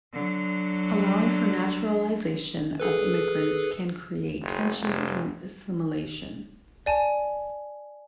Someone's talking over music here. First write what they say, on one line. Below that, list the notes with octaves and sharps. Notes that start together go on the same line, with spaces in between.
Allowing for naturalization of immigrants can create tension in assimilation.
D3 F#3
G#4 A4 B4
F#1
F1
D5 G#5 A5